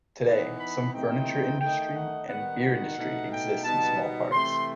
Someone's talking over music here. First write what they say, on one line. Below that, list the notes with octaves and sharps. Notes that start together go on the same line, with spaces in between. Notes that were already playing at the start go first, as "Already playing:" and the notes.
Today some furniture industry and beer industry exists in small parts.
E3 B3 D#4
B5
C3 E3 A3 C4 D#4 G5
D#3 A3 D#4 G5
F#5
D#3 G3 B3 D#4 F#5
F#5
B2 A3 D#4
G5
B2 G3 B3 D#4 A5
C3 E3 A3 C6